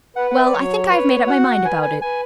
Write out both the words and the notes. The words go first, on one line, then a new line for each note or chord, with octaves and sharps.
Well, I think I have made up my mind about it.
B4 F#5
F#5
E5
D5
F#3 C#5
B4 C#5
F#4 F#5
B4 G#5
G#5
B4 G#5